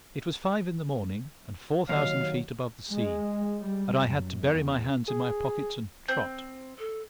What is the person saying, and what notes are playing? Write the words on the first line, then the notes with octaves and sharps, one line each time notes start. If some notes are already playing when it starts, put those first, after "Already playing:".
It was five in the morning, and four thousand feet above the sea; and I had to bury my hands in my pockets and trot.
D#2 F#3 C#5 F5
G#3
G3
F#2
E2
G#4
C4 G6
A4